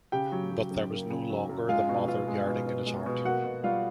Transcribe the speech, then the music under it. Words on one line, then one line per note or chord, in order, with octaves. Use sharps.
But there was no longer the mother yearning in his heart.
C#3 G4 G5
F#3
F#3
F#2
A#3
C#3
F#3
F#2
G#3 F4 F5
B2
B2 F4 F5
G#3
B2
B2
G#3
B2
A#3 F#4 F#5
B2
G3 F4 F5